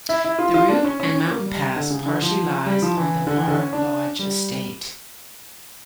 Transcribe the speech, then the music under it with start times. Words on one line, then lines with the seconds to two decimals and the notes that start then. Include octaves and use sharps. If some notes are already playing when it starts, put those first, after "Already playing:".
The route and mountain pass partially lies on the Mar Lodge Estate.
0.09 E4
0.25 E4
0.39 F4
0.54 F4
0.69 D4
0.85 C#4
1.00 C#4
1.15 C#4
1.30 A#3
1.46 G3
1.76 D3
1.90 C#3
2.06 D3
2.22 F3
2.66 G3
2.82 F3
2.97 E3
3.27 D3
3.37 E3
3.48 D3
3.58 C#4
3.73 D4
4.19 G3